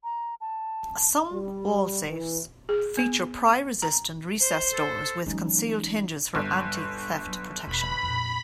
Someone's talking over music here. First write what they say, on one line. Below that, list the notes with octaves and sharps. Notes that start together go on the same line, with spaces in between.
Some wall safes feature pry resistant recessed doors with concealed hinges for anti-theft protection.
A#5
A5
G3
E3
G#4
B3
A#5
C5
A4
E3 F#3 G#3 C#4 D#4
G1 G3
F#3
E1 D4 B5
F2 A#2